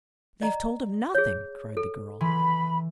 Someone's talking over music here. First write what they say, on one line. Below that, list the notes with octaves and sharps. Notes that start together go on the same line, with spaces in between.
"They have told him nothing!" cried the girl.
D5 D#5 A#5
G#4 C#5
A4
E3 B5 C6